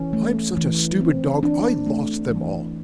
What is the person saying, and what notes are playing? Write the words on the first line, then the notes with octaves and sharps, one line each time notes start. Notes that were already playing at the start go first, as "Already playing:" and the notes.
I'm such a stupid dog I lost them all!
Already playing: E3 C#4
A3
E3
C4
E3 D4
A3
E3